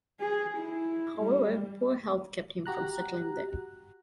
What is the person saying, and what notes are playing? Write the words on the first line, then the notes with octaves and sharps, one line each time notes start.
However, poor health kept him from settling there.
G#4
E4
G3
F#4 G4 A#5 F#6